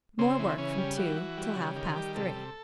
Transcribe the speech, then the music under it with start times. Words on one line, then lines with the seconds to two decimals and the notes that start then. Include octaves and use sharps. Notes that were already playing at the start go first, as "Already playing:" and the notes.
More work from two till half past three.
0.19 C#3 C4
0.39 E3
0.58 C#3 C#4
0.78 G3
0.97 E3 F#4
1.17 E3
1.37 G3
1.56 C#3
1.76 D#3 G4
1.96 G3
2.15 C3 A4
2.36 C3